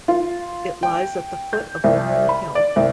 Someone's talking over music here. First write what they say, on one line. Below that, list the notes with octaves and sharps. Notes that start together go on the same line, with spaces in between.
It lies at the foot of Warren Hill.
F4
G5
G6
C2
B5
D5
C2